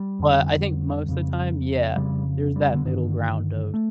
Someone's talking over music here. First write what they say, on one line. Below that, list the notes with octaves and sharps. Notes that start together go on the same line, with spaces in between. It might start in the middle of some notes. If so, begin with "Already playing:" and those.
but I think most the time, yeah, there's that middle ground of
Already playing: G3
F2 D3
F2 C#3
F2 C#3 G3
G3
D3
G2 D3 D#3
A3